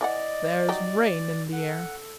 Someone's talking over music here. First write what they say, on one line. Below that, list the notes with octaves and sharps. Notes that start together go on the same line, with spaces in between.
"There's rain in the air."
E3 G#4 D5 D#5 F#5
F#3 D#4 G4
A4 F#5